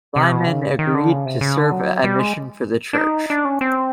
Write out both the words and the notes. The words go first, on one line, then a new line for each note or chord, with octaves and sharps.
Lyman agreed to serve a mission for the church.
C3
B2
C#3
D#3
D3
C#3
C3
C#3
D3
F#3
G3
G#3
D4
D#4
D4
C#4
C4